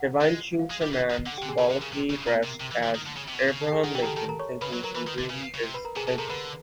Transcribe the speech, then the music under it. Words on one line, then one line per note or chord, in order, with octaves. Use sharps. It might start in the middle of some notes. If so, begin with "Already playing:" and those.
Devine shoots a man symbolically dressed as Abraham Lincoln, thinking he really is Lincoln.
Already playing: F#5
A3
G#3
F5
G#3
G3
E3
D#3
D3 F#5
G4 G5
D3
G#4 G#5
C#3 A#4 A#5
D3
C#3
C3
C#3
B2 A#4 A#5
C3
C3
E3
D3
D#3
D3
C#3
C3
B2
C3
C#3
A4 A5
G#4 G#5
D#3 F#5
E3 G4 G5
A#5
D#3 A4 A5
D#3 A4 A5
A#4 A#5
C#5 C#6
C#3 B4 B5
F#3
F#3 A#4 A#5
E3 B4 B5
D#3
D3
C#3
C#3
C3
B4 B5
A#4 A#5
C3 G#4 G#5
B2 A4 A5
C3 A#4 A#5
D3 B4 B5